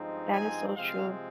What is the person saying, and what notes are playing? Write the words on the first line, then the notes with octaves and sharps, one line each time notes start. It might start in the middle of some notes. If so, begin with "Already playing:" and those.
That is so true.
Already playing: G2 F3 G#3 C4 D#4
G#5
C3 F3 G#3 C4 F5